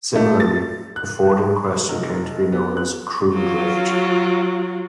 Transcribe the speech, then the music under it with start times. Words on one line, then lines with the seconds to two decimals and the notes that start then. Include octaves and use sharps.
Similarly, the ford in question came to be known as "Kroondrift".
0.16 A3
0.40 A6
0.96 F#6
1.88 F1
2.52 B3
2.77 F#6
3.34 F#3 F4